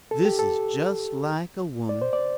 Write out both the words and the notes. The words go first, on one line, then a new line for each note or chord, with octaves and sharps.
This is just like a woman.
A4
G4
A4
D5
C5
D5